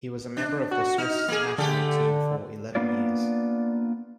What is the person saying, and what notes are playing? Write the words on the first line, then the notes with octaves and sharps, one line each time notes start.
He was a member of the Swiss national team for eleven years.
D4
F#4
D#4 F6
A#3 G#4
D3 A3 G4 A4
A#3 B3 D4 F4 D5